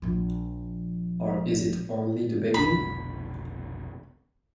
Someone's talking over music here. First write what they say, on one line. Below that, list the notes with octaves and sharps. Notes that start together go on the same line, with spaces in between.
Or is it only the begin-?
A#1 F3
F1 B1 D3 B5